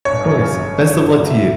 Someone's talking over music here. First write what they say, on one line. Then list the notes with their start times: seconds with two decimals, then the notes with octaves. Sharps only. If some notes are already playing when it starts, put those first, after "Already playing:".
Of course, best of luck to you.
0.05 G1 C#5
0.24 F#2
0.41 C#3
0.59 G1
0.77 G1
0.95 F#2
1.13 D2
1.30 D3 E5